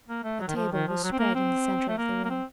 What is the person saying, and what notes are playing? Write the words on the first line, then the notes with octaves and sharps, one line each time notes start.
A table was spread in the centre of the room.
A#3
A3
F#3
D#3
F3
D#3
F3
F#3
C4
A#3
C4
A3
A#3
A#3
C4